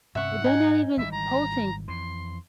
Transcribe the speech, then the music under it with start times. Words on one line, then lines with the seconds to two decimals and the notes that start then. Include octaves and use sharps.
they're not even posting,
0.15 G2 C3 C#4 E5 F#5 C#6
0.44 G#2 D#4 G#5
0.97 G#1 E3 G3 E5
1.12 A#5
1.88 F2 E3 C6